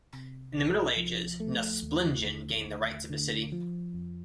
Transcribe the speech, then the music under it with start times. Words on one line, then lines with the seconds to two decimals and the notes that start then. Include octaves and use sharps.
In the Middle Ages Nusplingen gained the rights of a city.
0.13 C3
0.55 C2
0.97 F3
1.40 A3
1.83 D#2
2.25 D3
2.67 D#2
3.10 D3
3.52 F3
3.94 F2